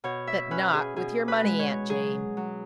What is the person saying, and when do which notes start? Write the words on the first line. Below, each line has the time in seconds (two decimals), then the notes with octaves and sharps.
But not with your money, Aunt Jane.
0.04 B2 C#5
0.27 E5
0.51 C#4 B4
0.74 G#4
0.96 B2 G#4
1.28 B4
1.43 G#3
1.59 C#5
1.90 F#3 G#4
2.37 F#3